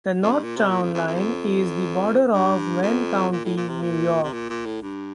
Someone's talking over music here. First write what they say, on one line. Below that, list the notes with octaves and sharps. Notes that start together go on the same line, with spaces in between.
The north town line is the border of Wayne County, New York.
F2
G2
A#2
C3
A#2
F2
F2
F2
E2
F2
G2
F2
A#2
A2
A#2
C3
A#2
C3
A#2
A#2
A2
G2